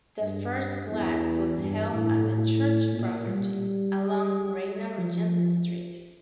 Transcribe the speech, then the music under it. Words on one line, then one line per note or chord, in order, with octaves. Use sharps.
The first class was held at a church property along Reina Regente Street.
G2
E2
G2
A2
A2
A#2
G3
F3